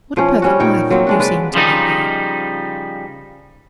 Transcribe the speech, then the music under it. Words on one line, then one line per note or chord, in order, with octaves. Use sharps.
'What a perfect life you seem to live here!
F3 C#4
G3 C#4 F#4
A#2 D#4 C#5 G5
F#3 A#3 C4
G#3 D4 F#4
C#3 B4 D5
C#3 F3 G3 D#4